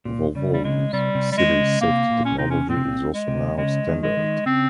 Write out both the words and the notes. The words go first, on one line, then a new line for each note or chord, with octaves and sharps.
Volvo's City Safety technology is also now standard.
A#2
C#3 G3
G3
C#3 G#3
C3 G3
C3
G3
D#3 G#3
C#3
C3 A#3
A#2
C#4
C3 D#4
C#4
A#2 C4
C3
A#2
G#3
C3
C#3 G#3
D#3
G#3
D#3
C#3 C4